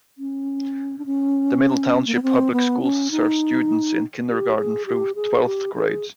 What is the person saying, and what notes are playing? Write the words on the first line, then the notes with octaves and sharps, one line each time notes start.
The Middle Township Public Schools serve students in kindergarten through twelfth grade.
C#4
D4
C#4
A#3
B3
C4
B3
C#4
D#4
G4
G#4
G4
G#4
G4
G#4